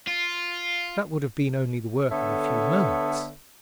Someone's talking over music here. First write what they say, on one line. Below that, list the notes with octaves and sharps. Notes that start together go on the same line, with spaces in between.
That would have been only the work of a few moments.
F4
D3 B3 A4 C#5 E5